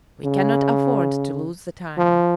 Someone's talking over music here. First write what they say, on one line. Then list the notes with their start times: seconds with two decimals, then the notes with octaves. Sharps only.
"We cannot afford to lose the time."
0.25 C#3
1.98 F3